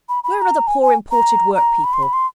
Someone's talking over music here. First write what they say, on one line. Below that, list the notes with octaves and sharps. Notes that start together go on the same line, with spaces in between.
'Where are the poor imported work-people?
B5
B5
B5
A#5
G#5
G#5
A#5
A#5
B5
C6
B5
C6